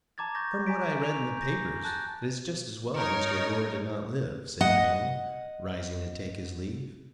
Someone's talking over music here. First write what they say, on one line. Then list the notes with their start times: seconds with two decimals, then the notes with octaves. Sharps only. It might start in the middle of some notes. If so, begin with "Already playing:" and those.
"From what I read in the papers it is just as well Mr. Gore did not live," said Payne, rising to take his leave.
0.18 A5 A#5 D6 G#6 A6
0.35 C#6 G6 A6 A#6
0.67 G#5 A#5 B6 D7
1.01 A#5 C#6 F7
1.37 G6 A#6
1.84 A5 F#6 G6 A6
2.96 D#4 A#4 C#5
4.61 D#5 F#5